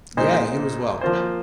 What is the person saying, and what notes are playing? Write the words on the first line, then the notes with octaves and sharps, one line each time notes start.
Yeah, you as well.
A#2 G#3 D#4 C5
F3 A#3 F4 C5